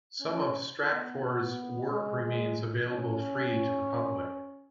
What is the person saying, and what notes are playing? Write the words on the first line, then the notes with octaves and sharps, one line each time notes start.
Some of Stratfor's work remains available free to the public.
C#4
B3
G#3
G#3
C#4